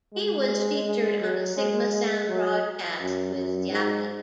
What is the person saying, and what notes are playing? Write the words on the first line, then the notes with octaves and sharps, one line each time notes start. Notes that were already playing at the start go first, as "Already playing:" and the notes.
He was featured on a Sigma Sound broadcast with Sciaky.
G#3
G#3
F#3
G#3
G#3
F#3
F#2
F#2
G#2